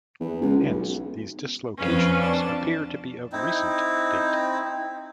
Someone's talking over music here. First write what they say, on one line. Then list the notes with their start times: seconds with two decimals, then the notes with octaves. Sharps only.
Hence these dislocations appear to be of recent date.
0.21 E2
0.42 C#2
0.60 B1
1.77 F2 C#4 B4 F5
2.20 D4 A5
3.32 C4 D#4 E4